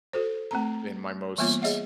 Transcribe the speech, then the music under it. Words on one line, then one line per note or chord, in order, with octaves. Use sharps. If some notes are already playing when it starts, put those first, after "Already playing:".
in my most
F#4 A4 C5
A3 C4 A#5
E3 G3 A#3 B3 F4 C#5
G#4 C#5 D#5 E5 F#5